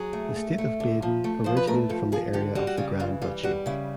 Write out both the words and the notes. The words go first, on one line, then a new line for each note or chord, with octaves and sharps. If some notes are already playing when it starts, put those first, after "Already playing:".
The state of Baden originated from the area of the Grand Duchy.
Already playing: F#3 G#4
A3
A3
A3
D3
F3
A3
F3 C5
B4
A3 A#4
F3 A4
F3 G#4
D3 G4
G3 F#4
F#4
C#3 F4
E3 F4
G3 F4
G3 F#4
C#3 E4